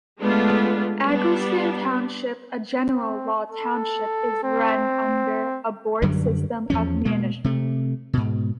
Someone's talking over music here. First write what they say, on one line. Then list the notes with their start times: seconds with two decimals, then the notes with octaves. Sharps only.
Egelston Township, a general law township, is run under a board system of management.
0.20 G#3 A3 B3 D4 F4
1.03 G3 B3 D4
2.92 C4
3.52 A4
4.44 C4
6.02 F#2 D3 F#3 G3
6.70 E2 F3 C#4
7.05 B2 G#3 A#3
7.44 C3 A3
8.13 G#2 B2